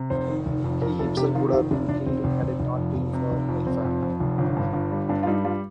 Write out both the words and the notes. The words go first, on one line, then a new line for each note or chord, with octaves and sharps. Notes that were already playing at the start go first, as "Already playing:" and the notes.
He himself would have been killed had it not been for Elfhelm.
Already playing: C3
F1 C5
D#3
F1
F2
F2 A#4
F1 A4
C3 G4
D#3 F4
G4
F1 F4
F1 D4
F1 D4
F1 C4
F1
F1
F1
F2
F1
C3
F1
F2
F1 C4
F2
F2
F1
G1
G2
G1
G3
G2 D4
F4
G3 D#4
G3 F4